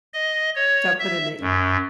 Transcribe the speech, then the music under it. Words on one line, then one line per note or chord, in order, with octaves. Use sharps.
So I'll put in the oh.
D#5
C#5
E5
F#2